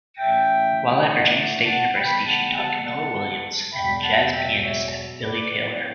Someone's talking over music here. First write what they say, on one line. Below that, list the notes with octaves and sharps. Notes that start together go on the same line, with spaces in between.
While at Virginia State University, she taught Camilla Williams and jazz pianist, Billy Taylor.
A2 E3 A3 C#4 E5 G5
D5 F#5
D5 F#5
F#5 A5
C#3 E3 G3 B3 G5 B5
F#5 A5
F#5 A5
F#5 A5
E2 B2 F#3 G5 B5
F#5 A5
E5 G5
C#5 E5
B4 D5
A2 F#3 B3 B4 D5